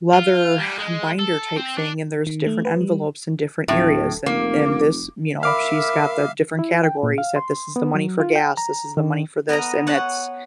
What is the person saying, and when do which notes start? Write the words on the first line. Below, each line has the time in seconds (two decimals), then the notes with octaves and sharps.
leather binder type thing, and there's different envelopes in different areas. And and this you know, she's got the different categories that this is the money for gas, this is the money for this, and that's
0.13 F4
0.58 G3
0.79 G#3
1.19 A4
1.56 C4
1.78 D4
2.27 D#3
2.46 A3
2.65 B4
2.81 G3
3.68 D1 A2
4.26 F1 A#3
5.43 A#4 E5 F5 B5 D6 F6
6.59 E4
6.83 G5
7.03 A#2
7.18 F5
7.36 C6
7.76 B3
7.95 F#3
8.20 F4
8.36 G5
8.57 A#5
8.97 D#3
9.49 B3 A#4 D#5 A#5
9.87 C#5 F#5 A5